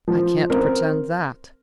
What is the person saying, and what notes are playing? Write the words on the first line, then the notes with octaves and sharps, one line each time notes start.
"I can't pretend that."
F3
C4 A#4